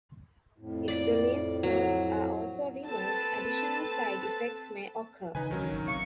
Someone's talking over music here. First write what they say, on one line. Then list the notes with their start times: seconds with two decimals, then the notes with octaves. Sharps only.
If the lymph nodes are also removed, additional side effects may occur.
0.58 F2 A2
0.88 D5
1.63 F#3
2.87 C4 A4 B4 A5
5.35 C#3 E3 D#4 B4 G#5
5.51 D2 D#3 F#3 C#4
5.73 G#1
5.88 C3 F5 C#6